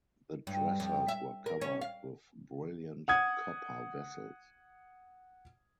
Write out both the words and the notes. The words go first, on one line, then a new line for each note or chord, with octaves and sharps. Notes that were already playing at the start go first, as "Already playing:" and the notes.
The dressers were covered with brilliant copper vessels.
G2
F2
E5
A#4
C#4
F5
F#5 D#6 G#6